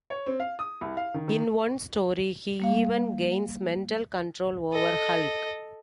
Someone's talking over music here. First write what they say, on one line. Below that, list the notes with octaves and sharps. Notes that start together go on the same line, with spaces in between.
In one story, he even gains mental control over Hulk.
C#5
C4
F5
D#6
C2
F5
D#3
D#3
G3 A#3 F5
A4 D#5